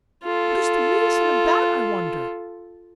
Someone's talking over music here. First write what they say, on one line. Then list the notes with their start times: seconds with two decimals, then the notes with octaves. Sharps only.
What is the reason of that, I wonder?
0.23 F4 A4